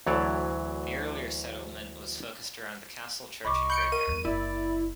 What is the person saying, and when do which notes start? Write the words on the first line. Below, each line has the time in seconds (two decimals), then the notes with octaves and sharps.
The earlier settlement was focused around the castle, church and graveyard.
0.07 D2 E3 F#3 C#5 D5 A5
3.45 C2 D#5 B5 C#6 D6
3.70 B5 G6 C#7 D7
3.92 A#4 D#7
4.07 E2 G2
4.25 F#1 E4 D5